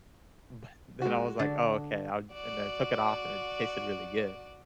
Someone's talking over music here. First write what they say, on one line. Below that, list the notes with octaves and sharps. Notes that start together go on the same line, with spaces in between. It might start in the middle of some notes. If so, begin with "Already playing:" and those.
b but then I was like, "Oh, okay. I'll" and then I took it off and it tasted really good.
G#3 F#4
D3
F#4 D5